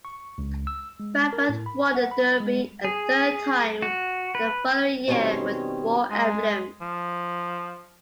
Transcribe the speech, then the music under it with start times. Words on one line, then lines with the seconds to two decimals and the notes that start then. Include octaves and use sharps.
Baffert won the Derby a third time the following year with War Emblem.
0.05 C#6
0.38 C#2
0.67 E6
1.00 G#3
1.33 A#4
1.49 A2
1.66 B5
1.95 F#5
2.11 B5
2.40 G#3
2.85 G#4
3.82 F#4
4.35 B4
5.08 B2 D#3 G3 C4 C#4
6.10 G#3
6.81 F3